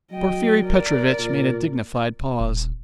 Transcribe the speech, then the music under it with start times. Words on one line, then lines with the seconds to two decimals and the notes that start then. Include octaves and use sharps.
Porfiry Petrovitch made a dignified pause.
0.11 F#3 D#5 G5
0.64 A#4 D5
1.19 A#2
2.40 D#1